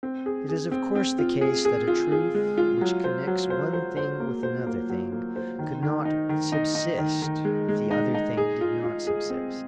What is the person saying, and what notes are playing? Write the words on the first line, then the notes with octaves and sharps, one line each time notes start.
It is of course the case that a truth which connects one thing with another thing could not subsist if the other thing did not subsist.
C4
G#4
G#4
C4
C4
F4
G#4
G#4
F4
G#4
G#3
F4
F#3
C5
F#3
C5
C5
C5
A#3
C5
A#3
F#3
A#3
C5
D#3
D#3
D#4
D#3
D#4
D#4
D#3
D#3
G#3
G#3
D#4
D#4
G#4
F4
F4
G#4
C4